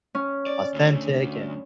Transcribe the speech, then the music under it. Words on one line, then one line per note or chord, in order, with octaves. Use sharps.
authentic and
C#4
D5
D2